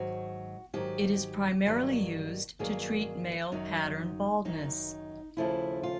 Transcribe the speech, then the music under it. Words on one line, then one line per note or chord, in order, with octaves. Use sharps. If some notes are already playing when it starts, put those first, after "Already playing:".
It is primarily used to treat male pattern baldness.
Already playing: G#2 D#3 F#3 F#4
G#2 D#3 F#3 G4
G2 D#3 F#3 A#3
G2 D#3 F#3 A#3 G#4
F#2 D#3 F#3 D#4
F#2 D#3 F#3 D#4
D#2 C#3 F3 A3 E4
F4